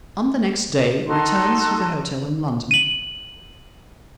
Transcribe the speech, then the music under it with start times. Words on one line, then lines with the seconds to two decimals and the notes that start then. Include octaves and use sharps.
On the next day we returned to the hotel in London.
1.07 D#4 F#4 A4 C6
2.71 D#7 F#7